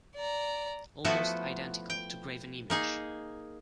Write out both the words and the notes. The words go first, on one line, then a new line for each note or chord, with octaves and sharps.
Almost identical to Graven Image.
D5 A#5
F3 A3 B3 E4 F#4 A4
G5
A#3 D#4 G#4